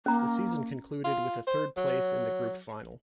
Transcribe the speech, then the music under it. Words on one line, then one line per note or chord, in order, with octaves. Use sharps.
The season concluded with a third place in the group final.
A#3 C#4 A#5
F4
C5
F#3